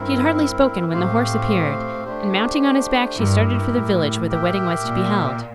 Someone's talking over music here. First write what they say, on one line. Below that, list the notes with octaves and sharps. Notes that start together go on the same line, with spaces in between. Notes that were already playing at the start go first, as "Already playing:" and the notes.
She had hardly spoken when the horse appeared, and mounting on his back she started for the village where the wedding was to be held.
Already playing: G2 C4 E4 A#4
A2 A3 C4 G4 C5 F5
A3 D4 G4 C5
G2 E4 G4 A#4
A2
G4 A#4 E5 G5
A#2